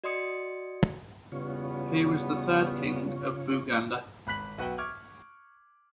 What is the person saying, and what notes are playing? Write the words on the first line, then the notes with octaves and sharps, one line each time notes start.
He was the third king of Buganda.
F#4 D5 D#5 C6 D#6 C#7
E2 C#3 G3 B3 F4 C#5
G#1 B5 F#6 B6 F#7
B1 F#4 B4 F#5 G5
C#6 D6 F6 G#6